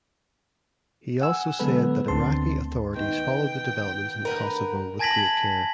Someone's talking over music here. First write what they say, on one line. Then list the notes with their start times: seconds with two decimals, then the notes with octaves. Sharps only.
He also said that Iraqi authorities followed the developments in Kosovo with great care.
1.21 F#5 G#5 E6
1.60 D3 F#3 G#3 B3 A4 B4
2.08 D2 D3 C4 A5 C6
2.95 D#3 B3 G5
4.25 D3 A#4 B4 F#5
4.99 G#5 A5 G#6 A#6 B6 F#7